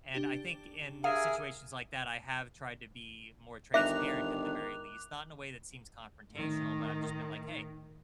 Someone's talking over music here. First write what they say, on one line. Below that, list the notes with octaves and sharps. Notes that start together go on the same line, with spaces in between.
And I think in situations like that, I have tried to be more transparent, at the very least, not in a way that seems confrontational, but I've just been like, "Hey,
D4 G4
G#4 A#4 E5 F5 G#5
G1 D#3 E5 D6 F#6 F7
A2 D#3